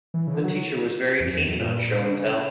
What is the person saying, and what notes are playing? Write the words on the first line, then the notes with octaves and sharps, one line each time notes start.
The teacher was very keen on Show and Tell.
E3
C#3
D3
F#3
F#3
E2
F#2
E2
F#2
A#2
C#3
D3
C#3